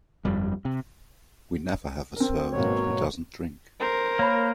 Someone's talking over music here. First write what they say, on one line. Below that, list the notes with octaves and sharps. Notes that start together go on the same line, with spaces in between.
We never have a servant who doesn't drink.
G1 F2 G3
C3
C4 A#4
G#1 B2 F#3 A#3 C#5
A#4 C5
A#3 C#5 B5